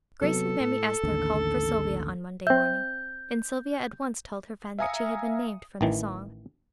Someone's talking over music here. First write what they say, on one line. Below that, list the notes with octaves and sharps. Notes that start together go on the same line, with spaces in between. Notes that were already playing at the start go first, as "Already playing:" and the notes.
Grace and Mammy Esther called for Sylvia on Monday morning, and Sylvia at once told her friend that she had been named from the song.
C3 F#3 B3 A4
A2
A1 D#2 D3
C4 E5 G6
E5 F5 G#5 A#5 D#6 C#7
A1 D#3 E3